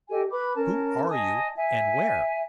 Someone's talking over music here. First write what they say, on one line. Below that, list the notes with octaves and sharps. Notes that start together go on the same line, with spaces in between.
"Who are you--and where?"
G4 A4 D#5 G#5
B4 B5 D6
C#4 A#4 A5
D#5 G#5 A5 D#6
E5 G#5